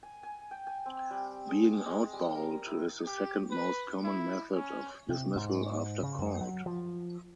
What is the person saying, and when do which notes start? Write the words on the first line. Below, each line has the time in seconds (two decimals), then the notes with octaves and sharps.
Being out bowled is the second most common method of dismissal after caught.
0.03 G#5
0.23 G#5
0.51 G5
0.67 G#5
0.86 C4
1.11 G3
1.49 G#4
1.86 G#3
2.13 G3
2.35 A#4
2.66 E4
3.06 G4
3.51 B4
4.04 E4
4.54 C#4
5.09 C3
5.36 G#2
6.03 C#3
6.19 F#2
6.41 F#3
6.66 F3